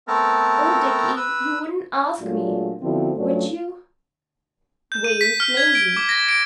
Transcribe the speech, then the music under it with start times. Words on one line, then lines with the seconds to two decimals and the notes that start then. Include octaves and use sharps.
Oh, Dickie, you wouldn't ask me--would you?' wailed Maisie.
0.08 A3 B3 C4 A4 A#4
1.17 B4 E6
2.20 A#2 F#3 G#3 A3 D4 F4
2.82 D3 F3 B3 C4 E4 F#4
3.17 G2 F#3 A3 C#4 D4 F4
4.92 G6
5.04 D#7
5.21 B6
5.40 F6
5.57 G#6
5.75 D7
5.97 D6
6.09 A#6
6.29 D7